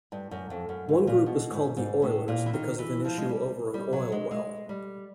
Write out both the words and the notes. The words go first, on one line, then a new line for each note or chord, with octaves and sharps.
One group is called the 'oilers', because of an issue over an oil well.
G2
F#2
F2
F#2
G#2
A#2
B2
G#2
G#2
A2
A#2
E3
D#3
E3
F3
G#3
G3
G3
F#3
G#3
G#3
G3